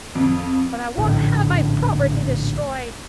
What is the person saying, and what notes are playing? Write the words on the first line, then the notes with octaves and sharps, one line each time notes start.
"But I won't have my property destroyed."
F2
A#1 A2 D3